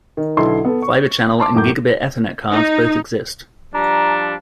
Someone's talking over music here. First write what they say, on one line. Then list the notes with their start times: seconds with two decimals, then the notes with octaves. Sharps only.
Fibre channel and Gigabit Ethernet cards both exist.
0.17 D#3
0.37 B1 D3 E4 A4 C6
0.65 B3 A4
0.82 C#6
1.40 A5 C6 D6
1.55 F#2 A2 D6 G6
2.51 D#4
3.74 F3 G3 D4 A#5